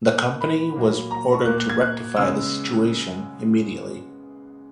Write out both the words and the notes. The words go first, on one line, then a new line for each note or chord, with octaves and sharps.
The company was ordered to rectify the situation immediately.
A#2 A#3 F#6
B5
A#2 F#3 A#3
A#5
C#6
A#2 A#3 F#6
F#6
G#6
F#6
C#3 G#3 B3 E6